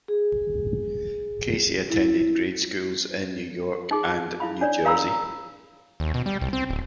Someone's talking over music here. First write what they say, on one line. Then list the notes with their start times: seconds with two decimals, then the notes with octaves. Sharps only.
Kacy attended grade schools in New York and New Jersey.
0.08 G#4
1.90 E4
3.91 D#4 G#4
4.40 E4 F5 B5
4.61 D4 C#5 D5
4.85 A#4 F5 A#5 B5 E6
6.00 D#2
6.14 B2
6.26 G3
6.41 C2
6.53 C4
6.70 D1